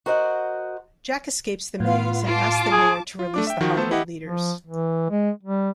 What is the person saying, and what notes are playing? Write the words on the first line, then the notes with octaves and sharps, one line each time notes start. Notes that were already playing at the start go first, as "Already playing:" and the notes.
Jack escapes the maze and asks the mayor to release the holiday leaders.
F#4 A#4 C5 D#5 E5 F#5
A2 B3 F4 F5
F4 A5 D6
G#4
F4
A3 D4 D6
E5 G5
D#3 F3 F#4 G5
A3 B3 A4 C5 A5
E4 G4 D#5 F#5
F3
E3
G#3
G3